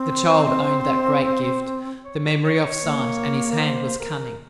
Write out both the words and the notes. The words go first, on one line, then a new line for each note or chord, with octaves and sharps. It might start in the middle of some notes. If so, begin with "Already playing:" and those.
The child owned that great gift, the memory of sight, and his hand was cunning.
Already playing: C4
C5
C#5
C#5
A#3
A#4
C5
A#4